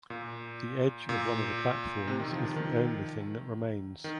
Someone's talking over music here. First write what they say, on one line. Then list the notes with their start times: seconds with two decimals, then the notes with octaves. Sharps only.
The edge of one of the platforms is the only thing that remains.
0.10 A#2
1.09 A#2
2.07 C3
2.20 D#3
2.32 F3
2.44 D#3
2.56 D#3
4.04 D#3